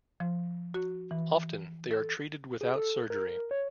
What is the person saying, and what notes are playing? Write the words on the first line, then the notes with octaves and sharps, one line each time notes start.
Often, they are treated without surgery.
F3
F#4
E3
A4
G#4
A4
A#4
C#5